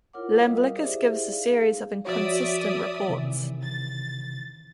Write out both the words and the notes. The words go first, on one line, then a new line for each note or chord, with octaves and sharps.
Iamblichus gives a series of inconsistent reports.
E4 F4 A#4 C#5 F#5 D6
G3 A#4 D#5 F5 D#6
E4 G4 G#4 C5 D5 E5
D#4 G#4 F5
F3 F#4 C#5 D5 E5 D#6
C3 D#3 E3
A6